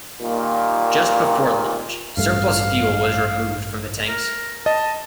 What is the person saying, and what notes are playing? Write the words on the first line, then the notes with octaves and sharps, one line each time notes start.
Just before launch, surplus fuel was removed from the tanks.
A#2 D#3 G3 A#3
A1 G2 A3 F5
A#4
D#5 A5